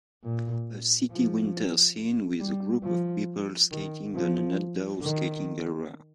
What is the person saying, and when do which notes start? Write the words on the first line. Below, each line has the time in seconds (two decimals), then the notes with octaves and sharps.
A city winter scene with a group of people skating on an outdoor skating area.
0.24 A#2
1.11 F3
2.40 G3
2.83 F3
3.71 D#3
4.14 F3
5.01 D#3